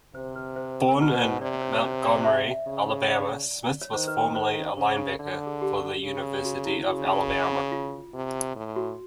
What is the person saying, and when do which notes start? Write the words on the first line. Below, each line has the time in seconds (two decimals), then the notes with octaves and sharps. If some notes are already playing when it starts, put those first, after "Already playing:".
Born in Montgomery, Alabama, Smith was formerly a linebacker for the University of Alabama.
0.15 C3 C5
0.36 B4
0.56 C5
0.89 A#4
0.98 B2 B4
1.15 C5
1.28 C#5
1.41 C3 D5
1.62 C#5
1.73 C5
1.82 C#5
2.04 D5
2.24 E5
2.67 C#3
3.08 D5
3.82 C#5
3.93 D#3 C5
4.08 B4
4.21 B4
4.35 C5
4.77 C#3
5.19 D3 D5
5.34 A4
5.46 G#4
5.61 G4
6.03 C#3
6.45 F#4
6.66 E4
6.87 C#3 F#4
7.72 F4
8.14 C3
8.56 A2
8.76 F#4